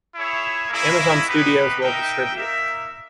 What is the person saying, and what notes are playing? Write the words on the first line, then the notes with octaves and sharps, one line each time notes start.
Amazon Studios will distribute.
E4 G#4 C#5 E5
A#3 C#4 E4 G#4 D#5
B3 D#4 G4 B4
D#4 A#4 E5 G5
A#3 D#4 A#4 E5